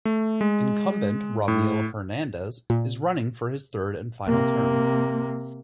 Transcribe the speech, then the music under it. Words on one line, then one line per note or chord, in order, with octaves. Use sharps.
Incumbent Ramil Hernandez is running for his third and final term.
A3
G#3
A2
A#2
C3 A#3